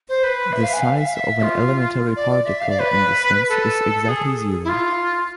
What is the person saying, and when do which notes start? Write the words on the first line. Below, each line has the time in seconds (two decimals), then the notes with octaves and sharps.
The "size" of an elementary particle, in this sense, is exactly zero.
0.09 C5
0.23 B4
0.53 E5
0.63 F5
0.73 G#5
0.83 F5
0.97 E5
1.06 F5
1.14 E5
1.42 F4
2.16 D5
2.31 D5
2.46 E5
2.60 F5
2.70 D5
2.80 B4
3.49 A4
4.03 A4
4.08 G#4
4.64 E4
4.69 F4